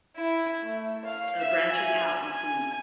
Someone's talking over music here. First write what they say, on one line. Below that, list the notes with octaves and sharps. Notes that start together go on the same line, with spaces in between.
uh, branching out into
E4
A3
F5
E5
G#5
G#5